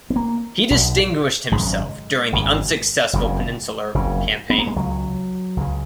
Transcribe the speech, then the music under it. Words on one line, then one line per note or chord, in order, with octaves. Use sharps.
He distinguished himself during the unsuccessful Peninsular Campaign.
B3
A#3
B1 B2
G#1 F#2 C#3 G#3
G#1 F#2 C#3
F#1 F2 C#3
F#1 F2 C#3
B3
A#3
G#3
C#2 C#3 F#3
C#2 C#3